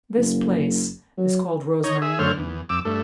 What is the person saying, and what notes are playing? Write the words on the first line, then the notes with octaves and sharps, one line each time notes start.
This place is called Rosemary Lane.
F#1
F#3
D#4 C#5
G#4 E5
F#2 D3 A3 C5 C#5 F6
E2
F2 D6 E6
G2 A3